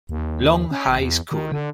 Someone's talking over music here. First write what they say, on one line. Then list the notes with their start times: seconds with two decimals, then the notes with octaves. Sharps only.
Long High School.
0.09 D#2
0.71 C#4
0.88 G#1
0.99 E2
1.32 D#3
1.52 D3